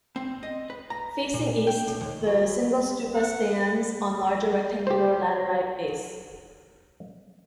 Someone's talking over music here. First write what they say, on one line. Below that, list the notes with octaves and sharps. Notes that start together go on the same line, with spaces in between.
Facing east, the single stupa stands on large rectangular laterite base.
C4
D#5
B4
A#5
A#2
G5
B1
D#2
F#3
F#5
G4 C5